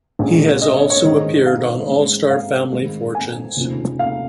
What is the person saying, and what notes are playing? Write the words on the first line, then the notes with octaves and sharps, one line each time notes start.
He has also appeared on "All Star Family Fortunes".
A#1 A#2 G#3 C#4
D#5
C#5
C#5
G#2 D#3 G#3 C#4 D#5
F5
G#2 G#3 C#4
F5
G#2 D#3 G#3
G#5
F1 D#2 C#3 F3
F5